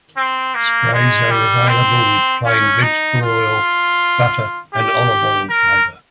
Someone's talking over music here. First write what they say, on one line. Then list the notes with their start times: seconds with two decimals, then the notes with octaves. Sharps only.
Sprays are available with plain vegetable oil, butter and olive oil flavor.
0.17 C4
0.55 A#3
0.93 G#3
1.31 G3
1.69 C4
2.46 C#4
2.83 D#4
3.22 F4
4.74 G4
5.49 A#4